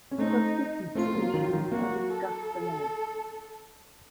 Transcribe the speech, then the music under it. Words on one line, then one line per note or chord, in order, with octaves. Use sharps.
Some different solutions are discussed below.
C#4
A3 C4 D#4
A3 C4 F4
F#3 A#3
D#3 F#3
D#3 F#3
F#3 A#3 F#4
A4